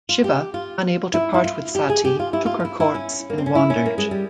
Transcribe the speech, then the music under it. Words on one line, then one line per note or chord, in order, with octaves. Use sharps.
Shiva unable to part with Sati took her corpse and wandered.
F4
G4
F4
E4
E4
F4
G4
G#4
G4
F4
E4
F4
F4
E4
E4
C#4
A#3
C4
C#4
E4
C#4
A#3
G#3
G3